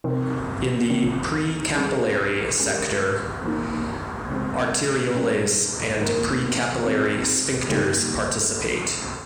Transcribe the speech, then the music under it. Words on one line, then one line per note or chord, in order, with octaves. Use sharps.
In the pre-capillary sector, arterioles and precapillary sphincters participate.
C3 F3 C4 D#4 A#4
C#3 F3 C4
G3 C#4 G#4
G#3 C#4 G4 A#4
F3 A#3 D#4
C#3 F3 G#3 C4
A#2 G3 C#4
F3 A#3 D#4 A#4
F3 C4 F4
C#3 G3 A#3 D#4 G4